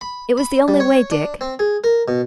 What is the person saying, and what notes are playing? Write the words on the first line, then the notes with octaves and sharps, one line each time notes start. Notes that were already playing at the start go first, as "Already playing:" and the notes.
'It was the only way, Dick.
B5
B5
G3
C#5
D4
C4
G#4
A#4
B2